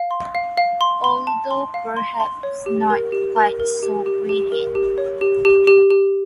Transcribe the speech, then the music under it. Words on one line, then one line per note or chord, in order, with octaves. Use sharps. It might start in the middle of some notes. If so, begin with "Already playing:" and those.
Although perhaps not quite so brilliant.
Already playing: F5
C6
F5
F5
C6
C6
A5
C6
F5
C6
C6
C#5
G4
A#4
G4
A#4
A#4
G4
G4
G4
A#4
G4
C#5
G4
G4
G4
G4